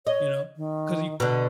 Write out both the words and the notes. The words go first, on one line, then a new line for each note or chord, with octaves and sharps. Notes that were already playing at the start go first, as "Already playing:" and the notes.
You know? 'Cause you
C#5 D#5
D#3
B2 D3